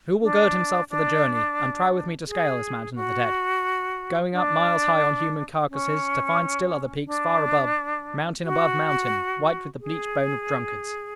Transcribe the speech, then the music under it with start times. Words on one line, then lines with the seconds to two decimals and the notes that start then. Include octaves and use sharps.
Who will gird himself for the journey, and try with me to scale this mountain of the dead--going up miles high on human carcasses, to find still other peaks far above, mountain above mountain, white with the bleached bones of drunkards!
0.22 D4
0.90 D4
2.28 G#4
2.95 F#4
4.32 D4
5.70 C#4
7.06 D4
8.44 F#4
9.80 G#4